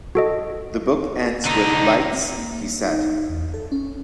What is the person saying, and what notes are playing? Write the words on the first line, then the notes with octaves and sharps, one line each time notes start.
The book ends with 'Lights' he said.
F#4 A4 D#5
D3 D#4
C4
A#3
D#4
E2
A4
C#4